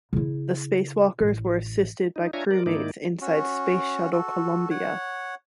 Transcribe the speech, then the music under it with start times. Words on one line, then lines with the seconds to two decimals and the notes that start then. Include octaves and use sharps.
The space walkers were assisted by crewmates inside Space Shuttle "Columbia".
0.13 C#3 E4
1.20 A1
2.16 D#4
2.33 D4 F4 C#5 E5 G#5 A#5
2.51 A#4 D5
2.66 G#2 D#3 A#3 D#4 E4 D5
3.21 C#4 F#4
4.12 F#4 A4
4.71 C#5 F#5